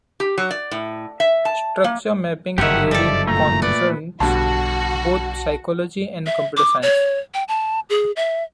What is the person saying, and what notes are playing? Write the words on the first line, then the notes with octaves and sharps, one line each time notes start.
Structure mapping theory concerns both psychology and computer science.
G4
F#3
D5
A2
E5
A5
A#3
F#1 G2 D3 D#3 G4 C#5 E5 F#5
F3 A4 D5
A#2 A3 A#5
B3 D5
B1 G2 B2 D3 F#4 A5
E5
D6
C#5
G5
A5
G#4
E5